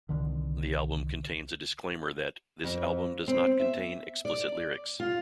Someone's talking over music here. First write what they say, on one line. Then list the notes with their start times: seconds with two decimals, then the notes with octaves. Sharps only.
The album contains a disclaimer that 'This album does not contain explicit lyrics.
0.09 C2 D3 D#3
2.64 F2
3.28 C4
3.60 E5
4.25 D5
5.00 F4